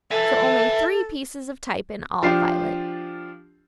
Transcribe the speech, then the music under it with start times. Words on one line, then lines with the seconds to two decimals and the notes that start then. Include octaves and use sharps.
"So only three pieces of type in all, Violet."
0.11 A4 E5 G#5
2.22 F3 D4 F4 G4 C7